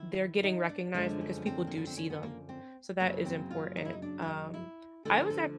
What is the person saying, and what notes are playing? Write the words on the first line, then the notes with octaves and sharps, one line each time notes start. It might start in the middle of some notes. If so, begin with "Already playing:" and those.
they're getting recognized because people do see them. So that is important. Um, I was act
Already playing: D#3 E4
D#4
D4
F#2 D3 F3 G#3 D4
C#4
B3
C4
A#3
B3
C4
C#4
B3
A#3
C4
F#2 C#3 F#3 A#3 B3
C4
F4
D#4
E4
D#4
D4
E4
D#4
E4
D2 D3 F3 A4
A#4
A4